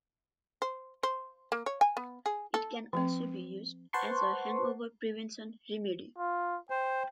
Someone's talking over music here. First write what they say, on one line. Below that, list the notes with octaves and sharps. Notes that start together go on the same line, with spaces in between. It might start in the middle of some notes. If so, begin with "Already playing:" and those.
It can also be used as a hangover prevention remedy.
C5
C5
A#3
C#5
G#5
B3
G#4
A4
F3 C4
B4 C5 F#5 A5 C6 C#6
F4
C5 G5